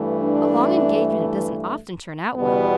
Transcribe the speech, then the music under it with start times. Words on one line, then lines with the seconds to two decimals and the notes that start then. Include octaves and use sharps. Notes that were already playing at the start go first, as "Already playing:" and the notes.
A long engagement doesn't often turn out well.
Already playing: G2 E3 A3
0.23 D4
2.35 E2 B2 G3 B3